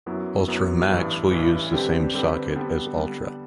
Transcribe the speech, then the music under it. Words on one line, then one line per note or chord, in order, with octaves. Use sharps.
Altra Max will use the same socket as Altra.
F#2 F#3 B3 E4
F#2 F#3 B3 E4
A1 G2 E3
A1 G2 E3
D3 G3 C4 G4 B4
D3 G3 C4 G4 B4
D3 G3 B3
D3 G3 B3